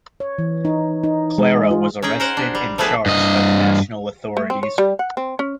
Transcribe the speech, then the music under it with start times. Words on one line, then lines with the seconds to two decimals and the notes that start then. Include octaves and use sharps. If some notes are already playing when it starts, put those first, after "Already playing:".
Clara was arrested and charged by the national authorities.
0.20 C#5
0.38 E3
0.65 D#4
1.03 D#4
1.38 G#3
1.71 F4
2.02 C#4 D#4 G#4 G5
2.20 A#4 C5 F#5
2.37 D4
2.55 G3
2.78 F3 A3 B3 G#4 B4
3.06 G2 D#5
4.37 A3
4.50 C4
4.63 C#5
4.78 G3
4.99 F#5
5.17 C4
5.39 C#4